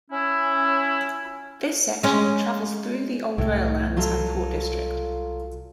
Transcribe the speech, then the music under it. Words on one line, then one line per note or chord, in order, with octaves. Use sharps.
This section travels through the old rail lands and port district.
C#4 E4
G#3 C#4
C2 A2
F#3 F4 A4